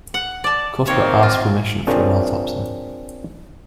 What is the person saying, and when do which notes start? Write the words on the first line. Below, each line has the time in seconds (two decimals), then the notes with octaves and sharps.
Cuthbert asked permission for an autopsy.
0.14 F#5
0.44 D5 A5
0.87 D#3 A#3 C4 C#5
1.23 F4
1.87 C4 D4 F4 G#4 A#4 C#5